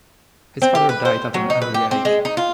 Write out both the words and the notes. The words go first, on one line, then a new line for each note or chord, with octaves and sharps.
His father died at an early age.
C4
G4
B4
C5
F#3
D#4
B4
G4
C4
G#3
D#4
F4